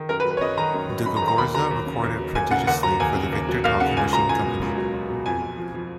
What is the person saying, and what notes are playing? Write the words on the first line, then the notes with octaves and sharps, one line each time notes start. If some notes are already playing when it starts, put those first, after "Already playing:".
De Gogorza recorded prodigiously for the Victor Talking Machine Company.
Already playing: D#3
F#2 A#4
B4
F#3
B4
C#5
F#2 D#5
D#3 A#5
F#2
F#3
F#2 B5
A#5
D#3
A#5
D#2 B5
F#3 A#5
D#2
C#3
D#2
F#3
D#2 G#5
C#3 F#5
D#2 F#5
F#3 A#5
D#2 G#5
C#3
D#2
F#3
D#2 F5
C#3 F#5
C#2 G#5
F#3 A#5
C#2 G#5
B2
C#2
F#3
C#2
B2
F2 G#5
F2
F3
F3